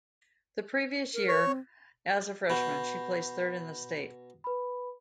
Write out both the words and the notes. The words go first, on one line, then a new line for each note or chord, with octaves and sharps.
The previous year as a freshman she placed third in the state.
A#4
C#5
C4
B2 B5 G6
B4 B5